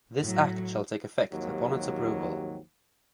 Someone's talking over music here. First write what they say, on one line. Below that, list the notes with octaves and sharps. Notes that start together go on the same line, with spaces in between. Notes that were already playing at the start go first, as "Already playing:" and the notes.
This Act shall take effect upon its approval.
A2 F#3
G#1 D#2 F3 F#3 G4